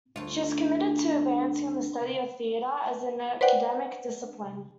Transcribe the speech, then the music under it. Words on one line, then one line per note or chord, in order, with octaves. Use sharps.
She was committed to advancing the study of theatre as an academic discipline.
D2 F4
B4 C5 D5 F#5 G5